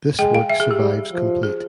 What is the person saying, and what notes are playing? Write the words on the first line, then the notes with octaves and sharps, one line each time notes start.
This work survives complete.
G#3 G5
F5
E5
G#4
G4
G3
F3
G#4